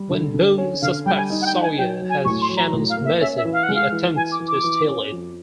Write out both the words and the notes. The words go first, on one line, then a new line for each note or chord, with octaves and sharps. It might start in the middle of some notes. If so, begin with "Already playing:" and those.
When Boone suspects Sawyer has Shannon's medicine, he attempts to steal it.
Already playing: G3
D3
D3
C#4
D3 F5
G3 G5
G#5
D#4
F#5
G5
D#4
G#5
F#3 G5
F#3
G#5
A2 C#6
C6
F#3
A#5
A2
F5
A#3
E5
C#4 E5
E5
E3
F5
F#5
G#3
F5
E3
E3 G#5
D6
E3
D6
E3
C#4
F2